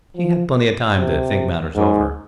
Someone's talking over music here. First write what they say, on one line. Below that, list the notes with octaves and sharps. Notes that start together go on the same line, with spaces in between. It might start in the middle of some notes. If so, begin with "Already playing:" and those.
He had plenty of time to think matters over.
F3
C3
G#2